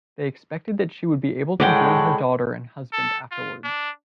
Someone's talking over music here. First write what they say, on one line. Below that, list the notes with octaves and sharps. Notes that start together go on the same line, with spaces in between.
They expected that she would be able to join her daughter and husband afterwards.
A2 G#3 D5 F#5 G5
A4
F4
D4